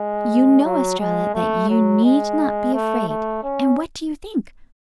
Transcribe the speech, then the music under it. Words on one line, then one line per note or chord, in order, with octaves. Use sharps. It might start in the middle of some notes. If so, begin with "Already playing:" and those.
You know, Estralla, that you need not be afraid. And what do you think!
Already playing: G#3
F#3
G#3
A3
F#3
G#3
A3
A3
C#4